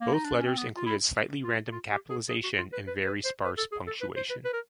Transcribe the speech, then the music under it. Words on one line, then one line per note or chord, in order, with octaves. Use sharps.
Both letters included slightly random capitalisation and very sparse punctuation.
A#3
D#4
D4
C#4
C4
B3
F4
E4
F4
F4
G4
G#4
G#4
F#4
F4
B4
B4
B4
C5
B4
A4
G#4
A4
B4
C5
B4
B4
A#4